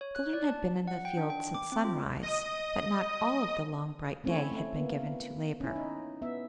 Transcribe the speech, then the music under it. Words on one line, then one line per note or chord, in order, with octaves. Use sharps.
The children had been in the field since sunrise, but not all of the long bright day had been given to labor.
C#5
F#6
D5
A5
F#5
G5
D4
G5
D6
C4
F4
D#5 D#6
A3 C4 C#4 E4 C#5
A3
A#3 B3
C#4 E4
D#4
B3 E5